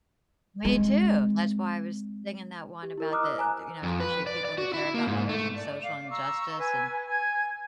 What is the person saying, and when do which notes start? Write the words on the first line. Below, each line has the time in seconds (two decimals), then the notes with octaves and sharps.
Me too, that's why I was thinking that one about the, th you know, especially people who care about others and social injustice and
0.65 G#3 C4
2.83 G4
2.98 E4 A#4
3.12 D#5 A#5 D6 D#6 F6 F#6
3.23 E6
3.37 C5 G#5 A#5 F#6
3.83 F2
4.00 B4
4.27 D5
4.45 D5
4.58 F#4
4.74 E4
4.94 A#3
5.07 G#2
5.29 A3
5.56 D5
5.83 F5 D6
6.11 A#5 C#6 E6
6.59 B4 G#5
7.07 G#5 G#6